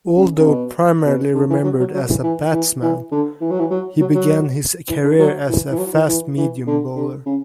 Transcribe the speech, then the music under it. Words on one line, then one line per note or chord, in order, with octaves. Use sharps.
Although primarily remembered as a batsman, he began his career as a fast-medium bowler.
C#3
C#3
B2
B2
D3
E3
F#3
F#3
F#3
E3
E3
E3
E3
D3
E3
F#3
E3
F#3
F#3
F#3
E3
D3
F#3
E3
E3
F#3
E3
E3
E3
D3
D3
C#3